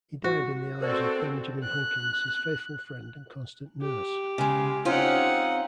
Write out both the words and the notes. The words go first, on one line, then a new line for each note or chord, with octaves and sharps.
He died in the arms of Benjamin Hunkins, his faithful friend and constant nurse.
F#4
C4 F#4 A4 A#4 C5 D5
F#6
G4
C#3 G#3
C4 C#4 D#4 F4 F#5